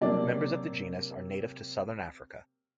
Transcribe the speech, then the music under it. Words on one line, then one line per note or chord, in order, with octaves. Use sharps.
Members of the genus are native to southern Africa.
C3 F#3 A#3 D4 D5